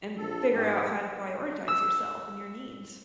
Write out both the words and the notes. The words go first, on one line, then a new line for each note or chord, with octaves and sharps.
and figure out how to prioritize yourself and your needs.
A#1 A4
G#2 G4
E6